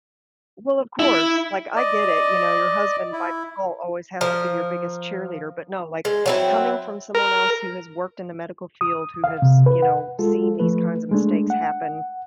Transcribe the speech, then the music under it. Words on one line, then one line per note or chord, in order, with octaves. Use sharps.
Well, of course, like I get it, you know, your husband by default always has to be your biggest cheerleader, but no, like, coming from someone else who has worked in the medical field, who has, you know, seen these kinds of mistakes happen
E4
D5 D#5
E4
F3 A#4
G#3
F#3 C4 E4
A#4
D#6
F5
C3
B4
F#5
G#3 F4 A4
F3 A3 B4
G#3 A3 D4
F#5